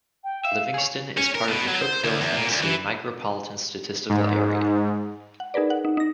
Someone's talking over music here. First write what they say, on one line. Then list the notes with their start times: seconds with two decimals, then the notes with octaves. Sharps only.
Livingston is part of the Cookeville, Tennessee Micropolitan Statistical Area.
0.24 G5
0.45 E5 F5
0.74 G#4 C#5
1.17 C#4
1.35 A#4
1.48 B2
1.68 F#3
1.81 C5
2.04 D2
2.21 E2
2.37 A#2
2.52 D2
2.63 E3
4.09 G#2
5.40 F#5
5.54 D#4 G#4 A#4 B4 D5
5.70 F#5
5.85 D#4
5.97 D#4 A#6